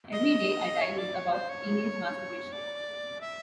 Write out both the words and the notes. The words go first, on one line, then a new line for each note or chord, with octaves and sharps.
"Every Day I Die" was about teenage masturbation.
D#5
C#5
D5
C#5
C5
C#5
D5
E5